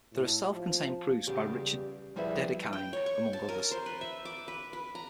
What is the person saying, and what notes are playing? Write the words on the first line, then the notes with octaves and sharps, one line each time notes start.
There are self-contained proofs by Richard Dedekind, among others.
A2
F3
E2 C#3 G3 G4 G#4 D5
F3 G3 E4 G#4 B4 E5
G5
C#5
C#6
A5
A#4
C5
B4
E5
D6
B4
B4
A#5